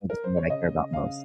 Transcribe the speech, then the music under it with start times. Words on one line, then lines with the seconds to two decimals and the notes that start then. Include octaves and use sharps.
can focus on what I care about most.
0.10 A#4
0.24 C5
0.37 C#5
0.50 C#3 D#5
0.93 C#3 F5